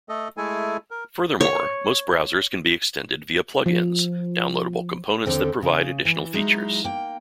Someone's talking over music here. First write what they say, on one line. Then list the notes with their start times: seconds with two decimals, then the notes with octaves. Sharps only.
Furthermore, most browsers can be extended via plug-ins, downloadable components that provide additional features.
0.09 A3 A4 D#5
0.37 G#3 A3 E4 A4 G#5
0.91 A#4
1.41 C#5
3.66 F3
5.26 D#2 D3 C4 A4
5.62 C#3
6.05 E3
6.34 F#3 G#3 D#4 E4
6.84 A#3 G5